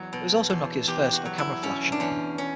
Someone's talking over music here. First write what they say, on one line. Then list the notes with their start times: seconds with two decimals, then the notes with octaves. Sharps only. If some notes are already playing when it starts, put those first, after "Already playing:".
It was also Nokia's first with a camera flash.
Already playing: E2 F#3
0.13 B2
0.50 E2
0.88 E2 G4
1.13 F#4
1.25 F#3
1.38 E4
1.63 B2 C#4
1.92 D4
2.00 E2 C#4
2.38 C#4